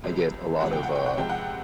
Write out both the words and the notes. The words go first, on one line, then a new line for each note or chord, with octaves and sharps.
I get a lot of, uh,
C#2 C3 F3 G#3
C#2 C3 F3 G#3 F#5
G5
F#5
G5
F#5
C#2 C3 F3 G#3 G5
F#5